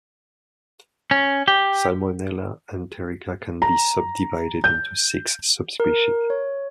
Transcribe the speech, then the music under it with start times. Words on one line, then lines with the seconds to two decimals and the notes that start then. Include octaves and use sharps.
"Salmonella enterica" can be subdivided into six subspecies.
1.11 C#4
1.48 G4
3.62 A#5
4.64 G6
5.80 A#4
6.30 C#5